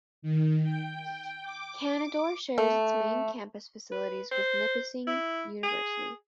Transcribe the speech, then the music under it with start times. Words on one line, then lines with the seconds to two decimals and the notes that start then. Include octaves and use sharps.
Canadore shares its main campus facilities with Nipissing University.
0.22 D#3
0.62 G5
1.43 D6
2.58 A3
3.92 B4
4.31 C5
5.07 E4
5.63 G#4